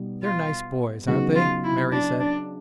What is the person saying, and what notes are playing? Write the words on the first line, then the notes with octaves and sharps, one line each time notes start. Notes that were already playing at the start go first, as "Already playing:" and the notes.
"They're nice boys, aren't they?" Mary said.
Already playing: B2 G3 B3 D#4
F4
C#3 F#3 B3 D#4 F#4
F4
E4
D4
D4